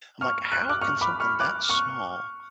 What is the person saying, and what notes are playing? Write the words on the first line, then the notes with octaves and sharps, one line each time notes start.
I'm like, "How can something that small
C#6 F6
F#6
D6 F#6
C#6 F6
B5 D6
C#6 F6
D6 F#6
C#6 F6